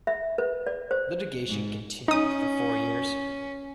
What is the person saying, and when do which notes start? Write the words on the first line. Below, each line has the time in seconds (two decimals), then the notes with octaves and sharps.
Litigation continued for four years.
0.07 E5
0.38 B4
0.67 D5
0.91 C5
1.48 G#2
2.08 C#4 D#4 D#6